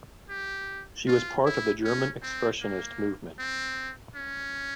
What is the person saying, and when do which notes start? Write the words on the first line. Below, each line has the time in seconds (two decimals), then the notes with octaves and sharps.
She was part of the German Expressionist movement.
0.29 G4
1.07 F4
1.45 E4
1.84 C#4
2.22 C4
2.61 A#3
3.39 C4
4.16 C#4